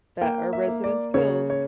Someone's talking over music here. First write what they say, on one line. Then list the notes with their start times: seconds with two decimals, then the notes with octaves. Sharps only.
that our residents' pills
0.21 A#3 G5
0.53 E5
0.68 A#3
0.84 D5
1.14 C#3 C#5
1.50 C#5